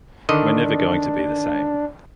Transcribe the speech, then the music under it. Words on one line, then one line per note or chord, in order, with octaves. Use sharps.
We’re never going to be the same.
D3 D#3 D4 D#5